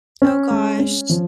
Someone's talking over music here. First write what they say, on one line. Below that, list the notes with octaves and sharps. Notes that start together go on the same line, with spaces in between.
Oh gosh.
C#4
G#3
C#4
F3